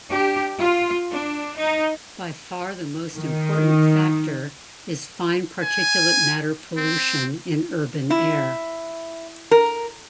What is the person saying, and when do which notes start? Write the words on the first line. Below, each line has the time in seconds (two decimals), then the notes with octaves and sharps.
By far the most important factor is fine particulate matter pollution in urban air.
0.10 D4 G4
0.59 F4
1.13 D4
1.58 D#4
3.16 D#3
5.63 G#5
6.77 C4
8.10 E4
9.51 A#4